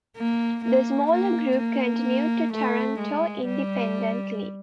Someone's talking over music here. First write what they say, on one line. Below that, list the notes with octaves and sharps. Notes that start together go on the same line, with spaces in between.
The smaller group continued to Taranto independently.
A#3
A#3
A#3
A#3
A3
G#3
G3